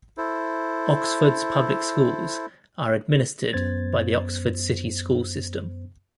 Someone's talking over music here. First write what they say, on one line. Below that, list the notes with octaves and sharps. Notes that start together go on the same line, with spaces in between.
Oxford's public schools are administered by the Oxford City School System.
E4 A4 C5
F#2 B3 C5 G#6 A6